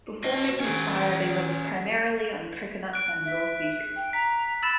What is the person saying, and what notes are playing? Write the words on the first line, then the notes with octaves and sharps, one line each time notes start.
Before making fire they lived primarily on coconuts and raw seafood.
F#4 D#5
C#4 G4
F#6 D7
E5
G5
A#5 B6
B5 E6 A6 E7